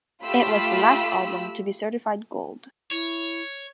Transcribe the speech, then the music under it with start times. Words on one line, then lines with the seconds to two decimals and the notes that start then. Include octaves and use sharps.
It was the last album to be certified Gold.
0.25 A3 F4 G4 B5 E6
2.91 E4 C#5